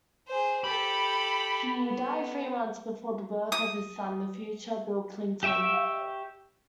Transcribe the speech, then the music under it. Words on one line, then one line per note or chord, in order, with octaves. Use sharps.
He died three months before the birth of his son, the future Bill Clinton.
G#4 C5
G4 A4 B5
B3
D#6
G4 E5 G5 C#6 E6